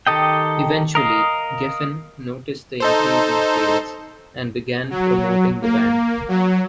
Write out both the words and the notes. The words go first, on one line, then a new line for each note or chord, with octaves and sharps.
Eventually, Geffen noticed the increase in sales, and began promoting the band.
D#3 G4 A4 D#5 G5
A#4 D#5 F5
D#4 A4 C5
F#3
A#3
F#3